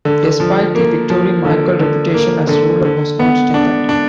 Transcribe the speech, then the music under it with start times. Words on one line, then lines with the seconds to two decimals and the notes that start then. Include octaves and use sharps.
Despite the victory, Michael's reputation as ruler was not strengthened.
0.05 D3
0.40 F3
0.75 A#3
1.10 F3
1.45 D3
1.80 D3
2.14 A#3
2.49 D3
2.85 D3
3.19 B3
3.54 D4
3.89 D4